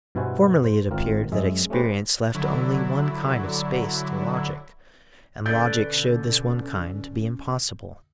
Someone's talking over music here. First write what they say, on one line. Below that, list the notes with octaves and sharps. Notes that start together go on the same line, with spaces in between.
Formerly it appeared that experience left only one kind of space to logic, and logic showed this one kind to be impossible.
G2 B2 E4 F#4 C5 G#5
C5
G#1 C4 F4 A#4
F#2 G#3 D#5 E5
A3 C#4 G4 B4 C5
D3 F#3 E4
B2 D3 C#4 A4 B4 D5 G6